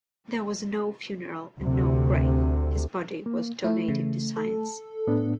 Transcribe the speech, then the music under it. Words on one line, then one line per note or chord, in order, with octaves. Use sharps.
There was no funeral and no grave, his body was donated to science.
D2 C3
A#3
A3 E4
C#3 E3
A4
A2 B3 D4